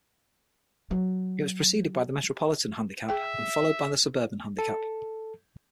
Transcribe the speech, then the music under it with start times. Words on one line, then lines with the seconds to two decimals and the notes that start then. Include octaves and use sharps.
It was preceded by the Metropolitan Handicap and followed by the Suburban Handicap.
0.91 F#3
3.09 G#4 E5 G5
4.58 A4